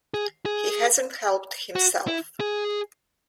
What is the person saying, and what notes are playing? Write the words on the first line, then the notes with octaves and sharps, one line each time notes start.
He hasn't helped himself.
G#4
G#4
F#4
E4
G#4